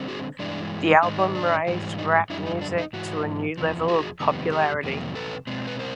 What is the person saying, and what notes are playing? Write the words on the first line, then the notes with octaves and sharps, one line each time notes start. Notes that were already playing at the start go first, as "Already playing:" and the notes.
The album raised rap music to a new level of popularity.
Already playing: D3 G3 C4
F#4 G#4
G2 E3 G#3 D4
G#2 D#3 G#3 D#4
D#4
D4
G#2 E3 G3
D#4
F#2 D3 G3 D4 E4
D#4
D4
D#4
G#2 E3 F#4
E2 C3 F3
F#4 G#4
F2 C3 D#3 G3 B3
G4 A4
F2 C3 D#3 F#3 A#3
A4 B4
B2 G#3 C4
B4
A#4 C5